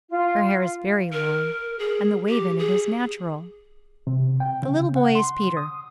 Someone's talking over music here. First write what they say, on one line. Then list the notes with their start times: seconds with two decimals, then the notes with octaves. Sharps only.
Her hair is very long, and the wave in it is natural. The little boy is Peter.
0.09 F4
1.13 A#4
1.79 G#4
2.28 G4
2.59 G#4
4.07 C3
4.40 G5
4.63 C#3
4.96 F#5
5.15 C6
5.57 D#6